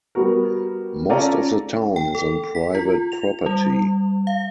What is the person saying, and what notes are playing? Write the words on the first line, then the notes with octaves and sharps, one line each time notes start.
Most of the town is on private property.
G3 B3 F#4 A#4
C#4 F4 A4 D5 A#5
G5
A4
B6
F4
F7
G3
F5